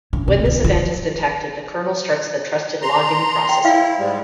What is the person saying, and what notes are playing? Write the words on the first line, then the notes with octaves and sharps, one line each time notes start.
When this event is detected, the kernel starts the trusted login processing.
C#3
C3
C#2
E4 F4
A#5 C6
G5
E4 F5
G#2 G3 G#3